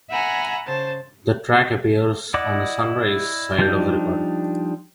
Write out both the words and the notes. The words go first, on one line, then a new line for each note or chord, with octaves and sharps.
The track appears on the "Sunrise" side of the record.
E5 F#5 G#5 A#5 B5
C#3 C5 A5
E4 D5 D#5 F#5 D6
F3 G3 D4 D#4 G6